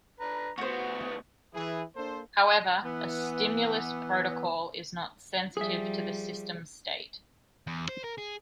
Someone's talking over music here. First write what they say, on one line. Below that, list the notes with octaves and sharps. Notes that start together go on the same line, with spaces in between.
However a stimulus protocol is not sensitive to the system state.
D4 B4 A#5
D2 B3 F#4 C5 C#6
E3 G#4
A#3 D4 A4 C5
E3 B3
F3 G3 G#4 E5
E2
C5
A#4
G#4